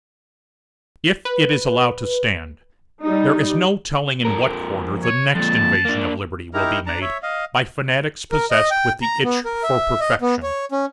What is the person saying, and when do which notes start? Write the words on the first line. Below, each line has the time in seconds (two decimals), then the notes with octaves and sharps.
If it is allowed to stand, there is no telling in what quarter the next invasion of liberty will be made by fanatics possessed with the itch for perfection.
1.25 B4
3.04 G3 D#4
4.25 F2 A#4
5.04 C#5
5.36 F2 A#2 A5
5.85 A#3 D4
6.54 D#4 E4 G4 A#4 A#5
6.86 D4 A5 A#5
7.01 C#5 E5
7.23 D#5 F5
8.32 A#4
8.51 D#5
8.71 G5
9.02 A#5
9.24 B3
9.45 A#4
9.63 E5
10.00 D#5
10.21 B3
10.43 C#5
10.72 C#4